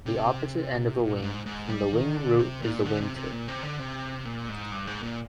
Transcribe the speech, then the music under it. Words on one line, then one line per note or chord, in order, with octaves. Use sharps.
The opposite end of a wing from the wing root is the wing tip.
C3
A#2
G#2
G#2
G3
D#3
D3
C3
A#2
D3
C3
C3
A#2
C3
D3
C3
A#2
G#2
G2
G#2
A#2